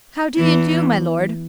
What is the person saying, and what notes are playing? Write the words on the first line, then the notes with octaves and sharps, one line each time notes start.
How do you do, my Lord?'
E2 E3